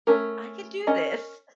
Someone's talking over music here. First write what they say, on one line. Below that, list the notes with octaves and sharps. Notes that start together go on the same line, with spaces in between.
"I can do this."
A3 C#4 A#4
C#4 A#4 D#5